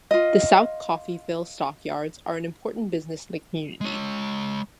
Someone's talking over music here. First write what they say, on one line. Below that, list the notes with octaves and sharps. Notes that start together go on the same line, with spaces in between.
The South Coffeyville Stockyards are an important business in the community.
F4 D#5
G#3 C#5